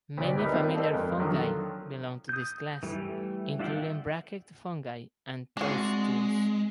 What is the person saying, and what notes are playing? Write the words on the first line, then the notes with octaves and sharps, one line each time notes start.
Many familiar fungi belong to this class, including bracket fungi and toadstools.
D2 B2 G4 C#5 D5
G3 A#3 B3 D#4 E5
A#3 C4 F4 G4 A4 C5
A4 A#4 C5 D5 D#5 A5
F2 G#3
D3 D#3 F3 F#3 A3
D#6 G6
E3 G3 A3
D4 F4 E5 F#5 G5
G#3 C4 D4 F#4